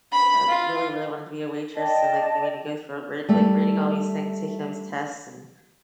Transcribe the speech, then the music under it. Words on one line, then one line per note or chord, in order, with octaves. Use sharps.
I really, really wanted to be a waitress And, like, they made me go through re like, reading all these things, taking all these tests, and
B5
F4
D5 D#5 G5 A5
G3 A3